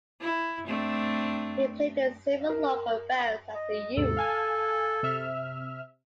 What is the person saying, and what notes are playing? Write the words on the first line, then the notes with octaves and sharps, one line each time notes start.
He played in several local bands as a youth.
E4
A3 C4 D4
A#4
D#5
D#2 G#2 C3 A4
F5 G#5 A5
C3 E5 F6